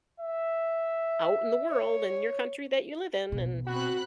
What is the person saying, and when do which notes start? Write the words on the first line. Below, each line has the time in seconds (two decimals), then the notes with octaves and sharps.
out in the world in your country that you live in, and
0.20 E5
1.71 C#5
3.32 A#1 B2
3.67 C4 F#4 B5 F#6